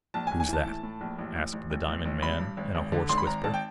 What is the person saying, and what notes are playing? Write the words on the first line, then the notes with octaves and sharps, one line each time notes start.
"Who's that?" asked the diamond man, in a hoarse whisper.
A#1 A5
G#5
A#1
G#5
E3 A5
A2
A2
A#1
A1
A1
A1
A1
A1
A1
G#1 B5
G2
G#1
G#1
D3
G#1 C6
B5
G#1 A#5
G#1 A5
G5